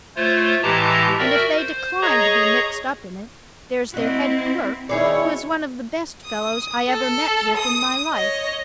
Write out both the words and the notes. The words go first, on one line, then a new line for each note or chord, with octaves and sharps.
And if they decline to be mixed up in it, there's their head clerk, who is one of the best fellows I ever met with in my life.
A3 F4 C5 C#5
A2 E3 G#3 G4 A5 A#5
F#4 A#4 D5 E5 G5
C5
G#4 C#5 D#5 A#5 C#6 D#6
C4 E4 F#4 D#5
B2 D#3 D#4 E4 G#4 C#5 D5
D#6
A4
D#6
C#5 D#5